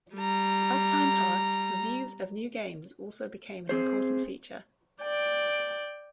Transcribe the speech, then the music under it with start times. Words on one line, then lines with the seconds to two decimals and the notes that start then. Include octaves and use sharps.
As time passed, reviews of new games also became an important feature.
0.15 G3 A#5
3.69 C4 G#4 C5
5.02 D5 G5